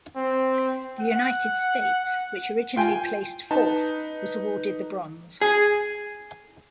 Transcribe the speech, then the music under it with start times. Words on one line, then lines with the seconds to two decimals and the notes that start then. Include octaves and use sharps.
The United States, which originally placed fourth, was awarded the bronze.
0.16 C4
1.00 F#5
2.76 F4 G5 G#5
3.51 D#4 B4 A5
5.41 G#4